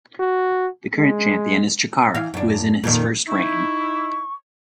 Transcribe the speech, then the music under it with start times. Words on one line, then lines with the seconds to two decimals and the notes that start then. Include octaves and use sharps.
The current champion is Chikara who is in his first reign.
0.20 F#4
0.98 G#3
2.15 E3 F5
2.34 F#2 D4
2.84 F2 A#2 D#3
3.28 D#4 E4 C#6